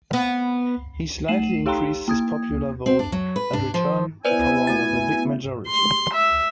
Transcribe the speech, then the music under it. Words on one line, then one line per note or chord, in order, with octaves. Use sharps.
He slightly increased his popular vote and returned to power with a big majority.
B3
A3 C7 D#7 E7 F#7
D#4 G4 F5 G5 A#5 C6
A#3 D#6 G#6
C4
D4
F#3
B4
D4
F3
B3 E4 B4 C5 D5 G#5
A3 F#4 A6
C6
E5